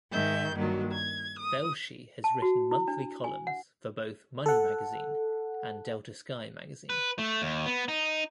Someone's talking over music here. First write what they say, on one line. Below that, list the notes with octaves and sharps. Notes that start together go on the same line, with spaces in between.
Velshi has written monthly columns for both "Money Magazine" and "Delta Sky" magazine.
G#2 D#3 E5 G6
G2 A#2 D#3 F#3
G#6
D#6
A5
F#4
E4
D4
G#5
F#5
A4 F#5
B4
A3
D#2
B3
D#4